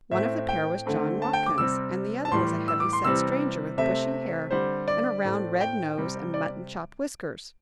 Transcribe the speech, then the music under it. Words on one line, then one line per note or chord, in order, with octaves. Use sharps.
One of the pair was John Watkins, and the other was a heavy-set stranger, with bushy hair and a round, red nose and mutton-chop whiskers.
A2 A3 C4 E5
G5
D3 A3 C4
A5
G5
D6
C3 G3 C4 E6
A5
A2 E3 G3 C6
E6
D6
C6
C3 E3 G3 C4 E6
C3 A3 C4 E5
D3 G3 C4 C5
D5
A2 A3 C4
G5
C3 G3 C4
D5